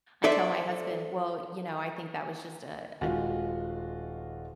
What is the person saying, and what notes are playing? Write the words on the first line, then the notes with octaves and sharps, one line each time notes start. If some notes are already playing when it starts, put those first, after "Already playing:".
I tell my husband, "Well, you know, I think that was just a a
A4 C5 D5 E5
D#1 G#3 F4 F#4